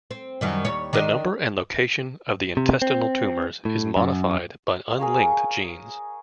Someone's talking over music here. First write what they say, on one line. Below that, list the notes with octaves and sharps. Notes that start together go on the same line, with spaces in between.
The number and location of the intestinal tumors is modified by unlinked genes.
C4
F#2 D#3 G3
D#2 G3 C#5
D#3 D4 D#5
C3
C4
A2
F#2
G#4 A#4 C#5 F5